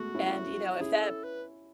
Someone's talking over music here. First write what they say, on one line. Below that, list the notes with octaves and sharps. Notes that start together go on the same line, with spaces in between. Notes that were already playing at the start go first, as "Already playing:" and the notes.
And, you know, if that
Already playing: G#3 A3 B3 F#4
C#4 E4
F#4
C#4 E4 G#4
A4
B4